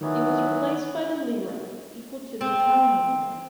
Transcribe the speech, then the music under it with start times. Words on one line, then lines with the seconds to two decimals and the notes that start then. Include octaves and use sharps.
It was replaced by the lira, equal to the Italian lira.
0.01 D#3 E3 F#3 B3
2.41 C4